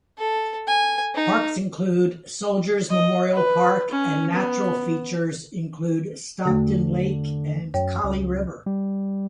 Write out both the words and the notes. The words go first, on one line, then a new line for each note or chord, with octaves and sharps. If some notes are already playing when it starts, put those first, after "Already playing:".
Parks include Soldier's Memorial Park and natural features include Stockton Lake and Collie River.
A4
G#5
D#4
D#5
B4
C#4
B3
E2 D3 A3 F#4
F#2 C#5 G5
C#2
G3